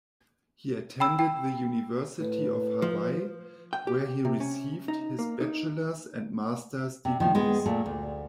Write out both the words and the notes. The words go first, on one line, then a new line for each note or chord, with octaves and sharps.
He attended the University of Hawaii, where he received his bachelor's and master's degrees.
G5 B5 E6
G5
A2 B4
F3
G5
G4
C3
C#4
D#4
A#3
D#4
C3
D#3 F3
G#3 B3
A#2 A3 A4
D2